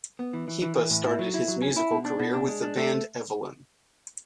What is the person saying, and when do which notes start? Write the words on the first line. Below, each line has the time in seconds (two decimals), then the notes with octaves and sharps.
Hipa started his musical career with the band Evelynn.
0.19 B3
0.33 E3
0.48 E3
0.62 E3
0.76 E3
0.90 A2
1.06 E4
1.19 F#3
1.34 E4
1.48 F#3
1.62 C#4
1.76 E4
1.91 B2
2.05 D4
2.19 B2
2.34 D4
2.48 G#3
2.62 D4
2.77 A3